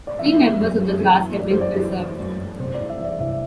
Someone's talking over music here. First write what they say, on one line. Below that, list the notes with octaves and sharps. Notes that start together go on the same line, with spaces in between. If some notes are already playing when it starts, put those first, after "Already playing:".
Three members of the class have been preserved.
D5
E3 E5
E3
F#2
F#2
E3
E3
F#2 D5
C5
F#2 D5
E3
E3
F#2
F#2
C3 C5
D5
C2
E5
E3 D5
C2 E5